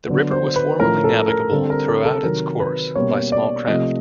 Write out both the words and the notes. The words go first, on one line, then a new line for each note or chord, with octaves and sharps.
The river was formerly navigable throughout its course by small craft.
D3 F#3 B3
C5
B4
A2 F3 A3 C#4 A#4
A4
A#4
D3 G3 C4 A4
A#4
A4
A4
C3 D#3 F#3 A#4
B4
B2 G3 A#3 C#4 C#5
D5
C3 F3 A3 D#5